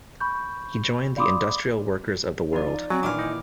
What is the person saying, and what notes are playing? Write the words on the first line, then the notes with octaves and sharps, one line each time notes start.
He joined the Industrial Workers of the World.
B5 C#6 G6
D5 F5 B5 C6 D6 D#6
F3 D#4 D5
F#3 C4 G#5
A#2 D#3 E3 D4 D6 F6
D#4 E4